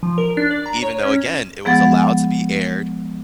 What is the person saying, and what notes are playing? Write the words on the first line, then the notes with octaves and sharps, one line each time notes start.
even though, again, it was allowed to be aired,
F3
A#4
D4
D5
A#5
C#5
C#4
F3 G#3 B3 G#4 F#5 A6